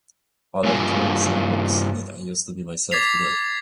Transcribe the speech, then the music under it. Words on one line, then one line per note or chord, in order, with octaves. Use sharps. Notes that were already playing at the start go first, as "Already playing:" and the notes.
I like to read some books, and I used to be myself today.
G2 G3 A#3 F4 G#5
D6 G#6 A6 B6 C7 F7